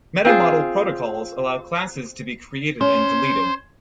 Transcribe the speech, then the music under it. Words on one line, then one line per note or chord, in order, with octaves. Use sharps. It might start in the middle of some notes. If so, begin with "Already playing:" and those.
Meta-model protocols allow classes to be created and deleted.
C4 F4 G#4
C#4 C5